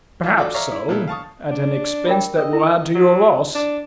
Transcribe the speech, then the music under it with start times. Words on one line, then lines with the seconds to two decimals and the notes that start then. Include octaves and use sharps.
"Perhaps so; at an expense that will add to your loss."
0.23 E3 F4
0.38 F4 F#4 A4 D5 D6
0.54 C#5 D5 E5 F5 A#5 D6
0.72 E4
0.89 A#2 B3 E4 A4
1.08 F5 A5 C#6 D#6
1.50 D4
2.06 F4 A#4 G5
2.37 A#4 D#5
2.53 E4
2.95 F#3
3.55 D4